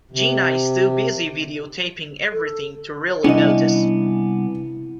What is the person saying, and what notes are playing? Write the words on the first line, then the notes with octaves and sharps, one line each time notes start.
Gina is too busy videotaping everything to really notice.
C3
A4
C2 B3 C#4 D4 E4 D#5